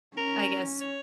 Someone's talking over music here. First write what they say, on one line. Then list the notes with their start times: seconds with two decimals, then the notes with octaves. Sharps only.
I guess,
0.17 C#4 A#4
0.81 C#5